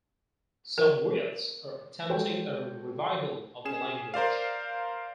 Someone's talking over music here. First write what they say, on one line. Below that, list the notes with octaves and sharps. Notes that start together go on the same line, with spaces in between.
Some Wiyots are attempting a revival of the language.
A#4
G#3 F#4 A4 C5 C#5 G5
C#4 G#4 E7
A#4 C5 D5 F5